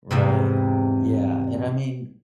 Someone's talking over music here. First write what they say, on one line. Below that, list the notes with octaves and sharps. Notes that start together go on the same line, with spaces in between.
Right. Yeah. And I mean
E2 G#2 C3